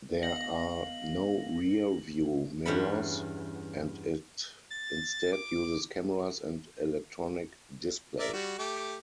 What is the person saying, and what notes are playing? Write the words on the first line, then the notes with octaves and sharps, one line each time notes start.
There are no rear view mirrors and it instead uses cameras and electronic displays.
B3 D#5 F5 A#6 F#7
E2 G2 C#4 F#5 B5
A6
D6
A#4 D5 E5
G3 F#4
A3 G4 D6